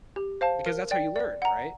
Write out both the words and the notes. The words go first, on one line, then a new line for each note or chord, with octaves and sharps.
Because that's how you learn, right,
G4
C5 F5 A5
A#4
D5 G5
D5
F#5 A#5